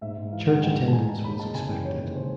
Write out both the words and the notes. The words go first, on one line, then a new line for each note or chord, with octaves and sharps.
Church attendance was expected.
G#2 E5
G#2
E3 F5
G#3 F#5
G#2 G5
G#2
A5
E3 G#5
G#3 A#5
D#2 B5
G#3 A5
C#3 G#5
E3 G5
D#2 C#5
G#3
C#3 C5